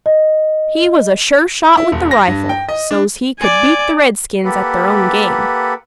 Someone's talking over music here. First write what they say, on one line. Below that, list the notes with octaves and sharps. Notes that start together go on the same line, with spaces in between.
He was a sure shot with the rifle so's he could beat the redskins at their own game.
D#5
E4
E1
A#6
G2
G5
D#5
D4
D5 G#5
A#3 G4 A4 B4 F#5